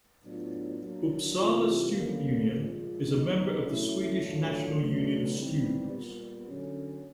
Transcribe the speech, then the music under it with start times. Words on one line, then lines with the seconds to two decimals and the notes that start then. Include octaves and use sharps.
Uppsala Student Union is a member of the Swedish National Union of Students.
0.24 A2 F#3 B3 D4 F4
0.81 F#3 A#3 D4
1.37 C3 E3 G3 C4 F4
1.94 D3 G3 A#3 C#4
2.51 A#2 F3 G#3
3.07 F#3 B3 D#4
3.64 F#3 A3 C#4 E4
4.20 A2 F#3 A3 D4 F4
4.77 B2 F#3 A3 D4
5.34 E3 G3 C4 D#4
5.90 A#2 G3 B3
6.47 D3 F#3 A#3 C#4